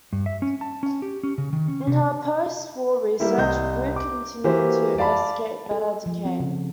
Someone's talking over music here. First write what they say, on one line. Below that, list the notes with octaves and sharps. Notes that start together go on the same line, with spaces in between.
In her post-war research, Wu continued to investigate beta decay.
G2
E5
C#4
A5
C#4
G4
C#4
C#3
D#3
C#4
C3
G3 A#3 E4
C2 D#5 G6
D6
E3 A#3 F#4 G4 C5
D5 F5 A5 B5
A4
F3
C4
C#3